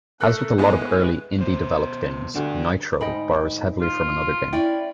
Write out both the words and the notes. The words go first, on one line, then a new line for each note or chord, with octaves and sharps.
As with a lot of early, indie-developed games, "Nitro" borrows heavily from another game.
A3 A4 A#4 F#6
A2 G#3 B3 B4
B2 C5
D2 D4 G4
D2 G#2 D#4 D#5 G5 B5
F4
C#4 E4 D5 F#5 G5